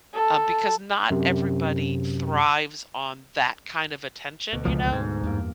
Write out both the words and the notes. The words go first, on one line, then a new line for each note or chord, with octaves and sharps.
um, because not everybody thrives on that kind of attention, you know?
A4
F#2 C3
D2 B2
C#2 F3
G#2
E2 G2 A#3